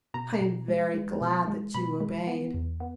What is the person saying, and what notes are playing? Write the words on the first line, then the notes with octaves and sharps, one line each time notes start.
I am very glad that you obeyed.
B2 A#5
B2
G#3
G#3
B2
G#3
B2 B5
G#3
B3
E2
B3